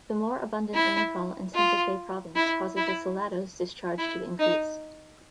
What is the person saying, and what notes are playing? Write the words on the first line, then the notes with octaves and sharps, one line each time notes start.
The more abundant rainfall in Santa Fe Province causes the Salado's discharge to increase.
E4
F4
E4
E4
E4
D#4